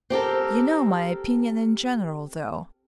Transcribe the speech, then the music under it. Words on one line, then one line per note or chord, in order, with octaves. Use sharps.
You know my opinions in general, though.
C4 G4 A4 A#4